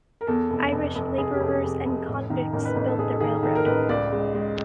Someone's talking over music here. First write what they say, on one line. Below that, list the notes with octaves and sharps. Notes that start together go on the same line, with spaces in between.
Irish laborers and convicts built the railroad.
A#4
E2 A4
F1
F1
F1
F1 G#4
G4
F1
G#4
F1
F1
A1
D#3
A1 A#4
B4
A1 B4
A4
A1 G#4
D#3 G#4
D#3 A4
A#4
A1 B4
C#2 D5
G#3
G#3